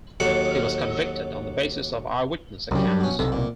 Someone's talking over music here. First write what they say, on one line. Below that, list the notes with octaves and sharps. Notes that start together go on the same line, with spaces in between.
He was convicted on the basis of eyewitness accounts.
D#2 F#3 A4 F#5
C2 F#2 C#3 G3
G2
B2 C#4
B1 C3 A4
A#2